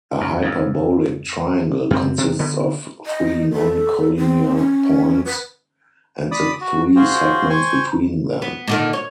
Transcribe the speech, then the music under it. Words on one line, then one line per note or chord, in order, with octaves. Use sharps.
A hyperbolic triangle consists of three non-collinear points and the three segments between them.
F#2
F2 G#2
F#2 C4
C3
D3 B3
D#5
A4
C4
C#4
B4
D5 B5 D#6
F#4
F4 F#4 G#4 C5 G5
C5 G5 G#5 C#6
B3
A#2 D3 D#3
C#5